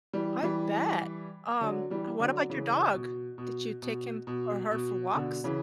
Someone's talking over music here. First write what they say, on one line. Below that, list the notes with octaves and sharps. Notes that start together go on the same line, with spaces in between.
I bet. Um, and what about your dog? Did you take him or her for walks?
E3 G3
E3 G3
D3 F#3
E3 G3
D3 F#3
C#3 E3
B2
B2
B2
B2
B2
B2 D3
C#3 E3